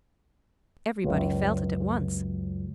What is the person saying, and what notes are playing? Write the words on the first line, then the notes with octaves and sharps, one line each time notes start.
Everybody felt it at once.
C#2 F#2